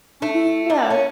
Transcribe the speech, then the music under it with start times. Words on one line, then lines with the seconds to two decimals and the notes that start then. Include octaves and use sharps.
Mhm, yeah.
0.22 A3
0.70 D4
0.90 C#4